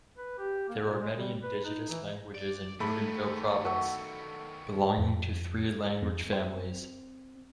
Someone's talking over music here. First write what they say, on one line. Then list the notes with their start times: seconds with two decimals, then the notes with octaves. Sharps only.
There are many indigenous languages in Bougainville Province, belonging to three language families.
0.17 B4
0.38 G4
0.69 A#3
0.85 A#2
1.01 G#3
1.17 G3
1.43 B4
1.64 D#4
1.90 E3
2.35 D5
2.80 D#3 A3 B3 B5
3.64 F#4 E6
4.98 F2
6.02 F2
6.32 C4